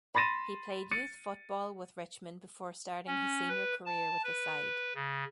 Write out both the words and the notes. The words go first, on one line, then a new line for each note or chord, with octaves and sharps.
He played youth football with Richmond before starting his senior career with the side.
B5 C6 A6 A#6 D#7 E7
A6 C#7 D#7
C#4
B4
A5
B4
C#3